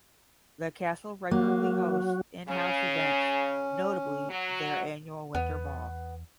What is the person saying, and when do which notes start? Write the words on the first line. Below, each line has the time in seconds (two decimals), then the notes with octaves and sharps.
The Castle regularly hosts in-house events; notably their annual Winter Ball.
1.31 F#3 A#3 F#4
2.49 C#3 C#4
4.30 F#3
5.35 E2 B3